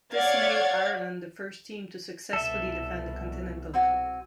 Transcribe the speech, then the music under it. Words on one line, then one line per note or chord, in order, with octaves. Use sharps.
This made Ireland the first team to successfully defend the Continental Cup.
C#5 D5 F5 F#5 G#6 A6
C2 B2 A4 E5
C4 F#4 G#5